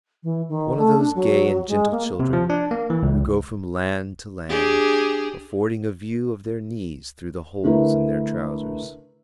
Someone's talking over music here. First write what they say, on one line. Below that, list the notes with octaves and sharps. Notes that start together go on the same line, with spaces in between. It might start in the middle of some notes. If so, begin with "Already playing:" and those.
One of those gay and gentle children, who go from land to land affording a view of their knees through the holes in their trousers.
E3
D#3
A3
D4
F#3
G#3
A#3
C3
F3
D4
A#3
E3
C#2
D4 G4 G#4
D3 A3 E4 A#4 B4